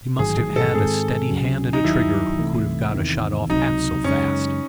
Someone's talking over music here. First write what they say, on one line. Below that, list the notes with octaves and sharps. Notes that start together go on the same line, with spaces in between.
He must have had a steady hand at a trigger who could have got a shot off half so fast.
A1 G#2 D#3 F#3 G#4
G#4
A4
G#2 D#3 G#3 C4 G#4
C#2 C#3 F#3 C#4
D#4
D#2 D#3 F#3 E4
C2 C3 E3 A3
E2 C3 D#3
C#2 C3 F#3 D#4
F#2 C#3 G#3 C#4